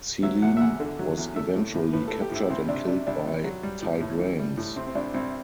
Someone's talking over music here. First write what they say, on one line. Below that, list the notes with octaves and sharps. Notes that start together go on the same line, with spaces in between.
Selene was eventually captured and killed by Tigranes.
F#3 E5
E2 F#5
E5
E2 F#5
D3
F#3
E2
A3 E5
A2
A2
A2 B4
A4
A3
G4
A2 E4
C2 C4
C3 D4
C3 D4
C2 D4
C2
F#3
G3
A2
A2
E3
G3
A2
C3 C4
C4
C2 D4
C2 C4